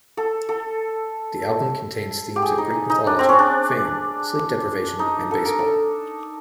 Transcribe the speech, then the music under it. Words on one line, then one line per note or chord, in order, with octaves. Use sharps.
The album contains themes of Greek Mythology, fame, sleep deprivation and baseball.
A4
A4
G4
G#4
D#4
D#4
D4
C4
C#4
D4
D#4
A4
A#4
A4